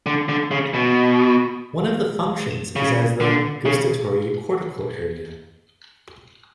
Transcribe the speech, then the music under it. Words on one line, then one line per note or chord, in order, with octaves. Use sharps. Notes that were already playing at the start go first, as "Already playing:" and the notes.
One of the functions is as the "gustatory cortical area".
D3
D3
C#3
B2
C#3
D3
C#3